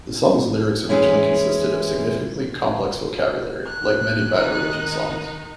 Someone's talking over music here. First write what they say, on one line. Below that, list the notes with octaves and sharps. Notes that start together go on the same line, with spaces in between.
The song's lyrics originally consisted of significantly complex vocabulary, like many Bad Religion songs.
E3 G#3 C#4 E4
F#6
D#3 D#4